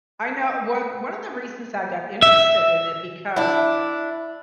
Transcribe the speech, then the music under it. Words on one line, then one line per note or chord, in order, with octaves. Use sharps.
I know one one of the reasons I got interested in it because
E5
D4 E4